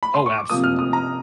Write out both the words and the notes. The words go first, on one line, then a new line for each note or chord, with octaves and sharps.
Oh, absolutely.
B5
C6
C#6
D6
C3 F3 A#3 D#6
F6
D#6
A#5